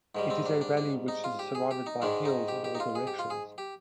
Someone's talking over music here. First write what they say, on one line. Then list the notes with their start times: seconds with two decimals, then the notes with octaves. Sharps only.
It is a valley which is surrounded by hills in all directions.
0.15 G#2 D#3 G3
0.30 C4
0.46 D4
0.61 D4
0.77 D4
1.08 D#4
1.24 F4
1.39 G4
1.55 G#4
1.71 G4
1.86 D#4
2.02 G#2 D#3 G#3 D4
2.25 D#4
2.48 G4
2.64 G4
2.75 D#4
2.80 F4
2.95 G#4
3.07 G4
3.19 F4
3.30 G#4
3.58 G4